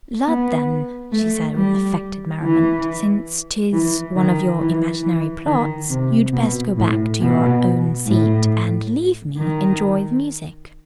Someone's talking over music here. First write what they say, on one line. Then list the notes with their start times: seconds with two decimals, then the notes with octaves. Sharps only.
"Lud, then," she said with affected merriment, "since 'tis one of your imaginary plots, you'd best go back to your own seat and leave me enjoy the music."
0.26 B3
1.12 A3
1.56 G3
2.43 E3
3.72 E3
4.16 D#3
4.60 E3
5.03 E3
5.46 D#3
5.90 C3
6.32 B2
6.77 A2
7.20 B2
8.06 A2
9.37 D#3